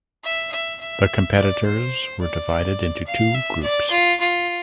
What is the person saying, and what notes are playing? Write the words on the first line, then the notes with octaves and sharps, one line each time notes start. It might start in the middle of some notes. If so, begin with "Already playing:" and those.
The competitors were divided into two groups.
E5
E5
E5
D5
C5
D5
F5
E5
D5
F4
F4